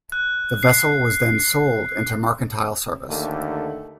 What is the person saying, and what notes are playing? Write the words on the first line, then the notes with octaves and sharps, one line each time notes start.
The vessel was then sold into mercantile service.
F#6
C7
D#2 D3 A3